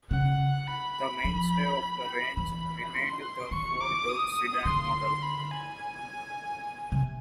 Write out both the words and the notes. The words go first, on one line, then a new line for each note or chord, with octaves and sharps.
The mainstay of the range remained the four-door sedan model.
C#3 F#5
B5
F3
E3 B5
C6
D#3 C#6
D6
D#6
D3 C6
B5
G#5
C3